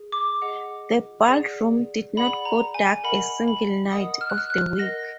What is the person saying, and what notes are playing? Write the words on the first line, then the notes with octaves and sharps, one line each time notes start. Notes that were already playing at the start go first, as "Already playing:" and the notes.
The ballroom did not go dark a single night of the week.
Already playing: G#4
D6
G#4 D#5 F#5
G#4 D5 F#5
G#4 D5 F#5 B5
A#5
G#5
A#4 D#5 F#5 B5
B5
A#4 D#5 F#5 D#6
F6
F#6
F6
F#6
A#4 D#5 F#5 A#6